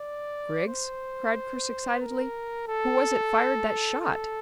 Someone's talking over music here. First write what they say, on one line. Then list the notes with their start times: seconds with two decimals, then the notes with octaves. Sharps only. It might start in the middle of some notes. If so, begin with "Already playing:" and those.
"Griggs," cried Chris excitedly, "who was it fired that shot?"
Already playing: D5
0.68 C5
2.01 A#4
2.68 A4
4.01 A4